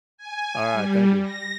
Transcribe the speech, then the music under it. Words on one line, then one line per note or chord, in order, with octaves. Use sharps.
Alright, thank you.
G#5
G3
A#6